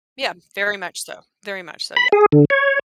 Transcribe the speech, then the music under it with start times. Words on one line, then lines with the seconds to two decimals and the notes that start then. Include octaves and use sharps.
Yeah, very much so, very much so, yeah
1.97 B5
2.12 G#4
2.32 D3
2.50 C#5